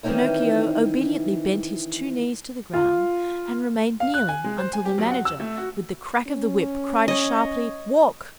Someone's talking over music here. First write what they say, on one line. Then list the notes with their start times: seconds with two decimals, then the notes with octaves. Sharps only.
Pinocchio obediently bent his two knees to the ground and remained kneeling until the Manager, with the crack of the whip, cried sharply: "Walk!"
0.03 D#3 E3 C4 C#4 D#4 E4
2.73 F4
4.00 F5
4.14 F#6
4.29 G#5
4.44 G#3
4.58 C5
4.73 G#5
4.85 G4
4.98 B1
5.11 F#5
5.25 E6
5.40 A3
5.57 F#4
6.27 C#4
7.08 C#5 D#5